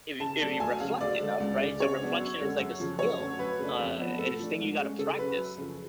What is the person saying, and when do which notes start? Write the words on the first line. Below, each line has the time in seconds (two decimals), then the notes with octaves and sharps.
if you if you reflect enough, right? So, reflection is like a skill, uh, and it's a thing you gotta practice,
0.20 C#3 A5
0.41 F#3 A3 D4
0.60 D2 G#5
0.80 C#3 F#3 F5
1.01 D2 D5
1.20 D3 G#3
1.40 C#2
1.60 C#3 G#3
1.80 C#3 C#5
1.99 F#3 B3 D4
2.20 F#2
2.40 D3 G#3 C#4
2.60 F#2
2.80 C#3 F3
2.99 F#2 C#5
3.19 D3 F#3 A3 C#4
3.39 F#2 B4
3.59 C#3 F#3 A3 D4
3.79 F2
3.99 F3 B3
4.19 A2 A4
4.39 F3 A3 D4
4.59 G#2
4.79 G#3 C#4
4.98 C#3 A4
5.18 F#3 C#4 B4
5.38 F#2
5.58 C#3 F3